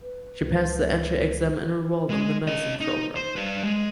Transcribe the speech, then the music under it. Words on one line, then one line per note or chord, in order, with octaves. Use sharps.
She passed the entry exam and enrolled in the medicine program.
B4
C#2
G#3
C#4 D#5
D#4
C5
G3 B4
G#3